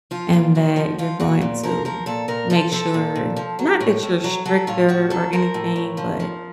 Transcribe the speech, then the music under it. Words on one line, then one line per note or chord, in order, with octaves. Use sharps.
and that you're going to make sure not that you're stricter or anything, but
F3 F4
A#2
A#2 F#4
F3
F3 F4
A#2 F#4
A#2
F3 A#4
F3 A#4
A#2 A4
A#2 A#4
F3 A4
F3 A4
A#2
A#2
F3
F#3
A2
A2
F#3
F#3 A4
A2 F4
A2 F#4
F#3 A4
F3 A#4
A2
A2
F3
F3